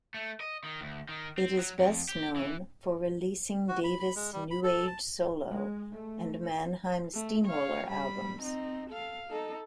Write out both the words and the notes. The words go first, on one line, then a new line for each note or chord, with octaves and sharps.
It is best known for releasing Davis' new age solo and Mannheim Steamroller albums.
A3
D#5
D#3
D2
D#3
C4
F#3
F2
G4
E3
F#4
B5
B5
G#3
G3
B5
A4
A5
G#3
A3
A3
C#5 F5
G3 B5
C4 D#4
A4 F5
D#4 A4